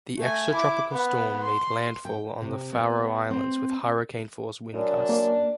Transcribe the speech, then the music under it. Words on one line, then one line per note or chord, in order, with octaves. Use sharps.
The extratropical storm made landfall on the Faroe Islands with hurricane-force wind gusts.
A3 G#5
E4 D6
B3
C6
G5
C3
B3
C4
F#2 D4
A#3